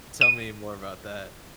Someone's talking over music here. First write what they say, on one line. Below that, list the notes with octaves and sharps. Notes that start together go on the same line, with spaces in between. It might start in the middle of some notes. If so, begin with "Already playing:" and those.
Tell me more about that.
D#7